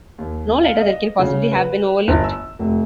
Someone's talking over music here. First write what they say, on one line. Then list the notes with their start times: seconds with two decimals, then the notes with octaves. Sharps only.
No letter that can possibly have been overlooked?
0.18 D#2
0.63 F5
0.81 D#5
1.19 C#3
1.52 B4
2.08 G1
2.24 E6
2.59 F1